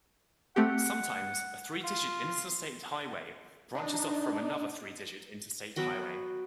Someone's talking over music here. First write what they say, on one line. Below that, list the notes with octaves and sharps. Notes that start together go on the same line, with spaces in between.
Sometimes, a three-digit Interstate Highway branches off from another three-digit Interstate Highway.
A3 C4 G4 F#5
F4
D4 D#4
F#3 B3 F#4 G5